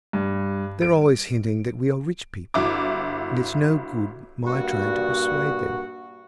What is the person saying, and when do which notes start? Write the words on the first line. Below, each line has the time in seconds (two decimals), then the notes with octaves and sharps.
They're always hinting that we are rich people, and it's no good my trying to persuade them.
0.13 G2
0.82 D7
2.54 G1 E4 F#4 D6
4.44 G2 A#2 F#4